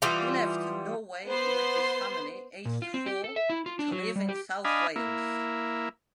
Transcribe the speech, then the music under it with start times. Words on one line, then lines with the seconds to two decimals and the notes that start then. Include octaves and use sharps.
He left Norway with his family aged four to live in South Wales.
0.02 E3 G3 B3 F4
1.28 B3 C5 C6
2.65 A#2
2.82 F4
2.94 C4
3.06 G4
3.24 A4
3.36 E5
3.50 E4
3.66 F4
3.79 D4
3.91 F#3
4.16 G3
4.29 G4
4.65 D4 D#5 F5 G#5 B5
4.96 A#3 E4